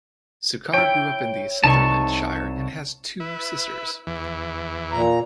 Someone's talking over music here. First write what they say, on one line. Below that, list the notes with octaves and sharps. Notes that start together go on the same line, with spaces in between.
Sukkar grew up in the Sutherland Shire and has two sisters.
E4 C#5 G5
C2 D#4 A5 C#6
E4 B4
E2 E3
A#2 A#5